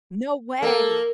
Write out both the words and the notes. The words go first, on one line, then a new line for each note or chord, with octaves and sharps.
No way!
A#3 A4